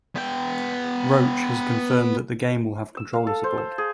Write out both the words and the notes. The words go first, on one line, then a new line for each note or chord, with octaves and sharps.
Roach has confirmed that the game will have controller support.
B3 G5
E6
F5
A4
C5
E6
G#4